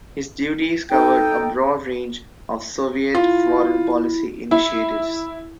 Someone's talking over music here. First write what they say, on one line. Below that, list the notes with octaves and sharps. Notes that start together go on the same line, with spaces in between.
His duties covered a broad range of Soviet foreign policy initiatives.
D#4 A4 G5
E4 F4
E4